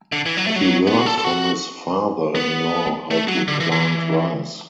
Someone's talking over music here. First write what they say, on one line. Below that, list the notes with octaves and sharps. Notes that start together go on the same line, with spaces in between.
He learned from his father-in-law how to plant rice.
D3
E3
F#3
A3
F#3
B3
F#4
A4
A4
F#4
B3
A3
F#3
D3
E3
E3